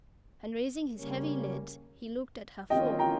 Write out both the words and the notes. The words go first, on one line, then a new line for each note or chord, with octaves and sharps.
And raising his heavy lids he looked at her full.
C#3 G3 A#3 C#4
D#3 A#3 C#4 F4 D#5 G5
G5 A#5